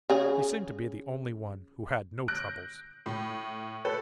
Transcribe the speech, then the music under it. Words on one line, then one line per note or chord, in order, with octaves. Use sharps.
He seemed to be the only one who had no troubles.
C#3 G#4
F#6 G6 A#6 D7
A2
A4 B4